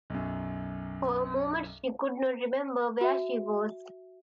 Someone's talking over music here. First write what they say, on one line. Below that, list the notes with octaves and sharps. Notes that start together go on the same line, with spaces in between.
For a moment she could not remember where she was.
B1 F#2
F#4 E5